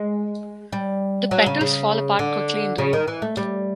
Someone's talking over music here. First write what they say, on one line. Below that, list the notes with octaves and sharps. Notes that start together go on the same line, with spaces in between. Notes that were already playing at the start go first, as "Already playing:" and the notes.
The petals fall apart quickly in rain.
Already playing: G#3
G3
F#3
C#3
C#3
D3
C#3
D#3
E3
A3
G3